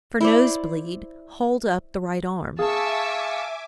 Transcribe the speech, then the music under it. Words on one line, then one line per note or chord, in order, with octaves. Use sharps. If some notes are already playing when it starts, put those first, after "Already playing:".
For nose-bleed, hold up the right arm.
E4 C5 D5
G#4 E5 F5 G#5 A5 C#6 D6 E6